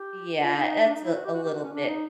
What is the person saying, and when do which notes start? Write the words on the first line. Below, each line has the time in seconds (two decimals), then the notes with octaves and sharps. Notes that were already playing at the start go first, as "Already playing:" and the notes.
Yeah, that's a a little bit,
Already playing: G4
0.41 F4
0.56 D#4
0.85 D4
0.95 D#4
1.05 E4
1.15 F#4
1.24 G4
1.34 F#4
1.44 G4
1.54 F#4
1.63 C#4
1.73 D4
1.88 D#4